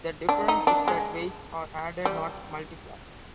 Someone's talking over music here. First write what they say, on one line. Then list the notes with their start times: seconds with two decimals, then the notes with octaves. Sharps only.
The difference is that weights are added, not multiplied.
0.29 D4
0.48 D#4
0.67 D4
0.88 G#3
2.05 G3